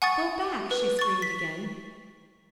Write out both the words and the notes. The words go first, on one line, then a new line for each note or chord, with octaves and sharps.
"Go back!" she screamed again.
F#5 G#5 C#6 D#6 A6
B4
C#6 A6
B6